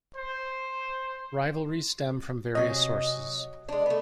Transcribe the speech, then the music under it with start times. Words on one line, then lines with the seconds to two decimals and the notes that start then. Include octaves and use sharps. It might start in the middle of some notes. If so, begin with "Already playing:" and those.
Rivalries stem from various sources.
0.16 C5
2.55 C3 F#3 D#5 G#5
3.69 G#3 D4
3.86 A3 B3